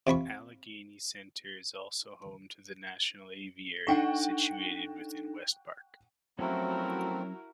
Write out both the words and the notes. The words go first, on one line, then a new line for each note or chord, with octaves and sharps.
Allegheny Center is also home to the National Aviary, situated within West Park.
C3 F4 B5 C#6
D4 D#4 A4 F#5 G5 C#6
F3 F#3 A3 C4 C#4 E4 F#4 A#4